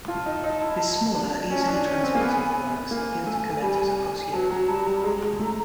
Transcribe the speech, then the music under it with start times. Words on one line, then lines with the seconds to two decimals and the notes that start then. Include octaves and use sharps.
His smaller, easily transportable, works appealed to collectors across Europe.
0.08 F4 A5
0.26 D#4
0.44 D#4
0.61 E4
0.79 E4
1.15 D4
1.50 C#4 G#5
1.61 A5
1.68 D4
1.72 G#5
1.85 C#4
2.03 C4
2.15 A#3
2.21 B3
2.91 A#3 G#5
3.27 A3
3.63 G3
4.33 F#3 A5
4.50 F#3 A#5
4.68 G3 A5
4.86 G3 A#5
5.04 G#3 A#5
5.21 G#3
5.39 A3